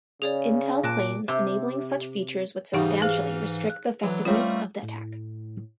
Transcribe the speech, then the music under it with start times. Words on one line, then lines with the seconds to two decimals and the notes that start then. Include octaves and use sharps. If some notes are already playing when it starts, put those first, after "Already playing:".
Intel claims enabling such features would substantially restrict the effectiveness of the attack.
0.22 C#3 G#4 C#5 D5
0.83 A#2 A5 D6 F#6 A#6
1.28 C3
2.74 E2 G#2 C#3 E3 G3 D#4 G4 F#5
3.02 G#4 C5 F5
3.70 F#6
4.03 D2 E3 F#3
4.25 G3 A3 A#3 C4 C#4 F4 C#5
4.82 A2